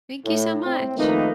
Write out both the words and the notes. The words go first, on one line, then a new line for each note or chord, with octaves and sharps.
Thank you so much.
A2
C4
D#3 F3 A3 A#3 D#4 B4